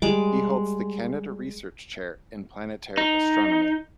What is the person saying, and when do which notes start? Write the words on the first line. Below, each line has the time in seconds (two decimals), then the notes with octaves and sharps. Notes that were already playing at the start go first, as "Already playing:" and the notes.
He holds the Canada Research Chair in Planetary Astronomy.
0.02 G3 G#3 D6
2.98 D#4